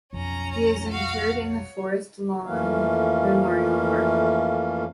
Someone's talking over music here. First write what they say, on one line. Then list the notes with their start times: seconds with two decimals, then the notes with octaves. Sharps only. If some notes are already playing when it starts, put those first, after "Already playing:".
He is interred in the Forest Lawn Memorial Park.
0.13 B1 F2 C#4 A#5
0.89 F#4 F5
1.44 C#5
2.46 F2 E3 A3 A#3 C#4 F5